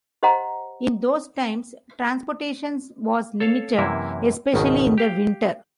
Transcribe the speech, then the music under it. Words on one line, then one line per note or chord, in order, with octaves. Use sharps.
In those times, transportation was limited, especially in the winter.
G4 C5 D#5 F#5 A#5
A4 C#5 F5 A5
F#2 C3 E3 A#3 E4
G#1 C#2 B2 D#3
G4 F5 G5